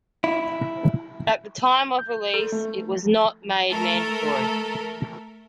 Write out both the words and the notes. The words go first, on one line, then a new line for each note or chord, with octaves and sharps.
At the time of release, it was not made mandatory.
E4
G6
A4
A3
A3 A4 A#4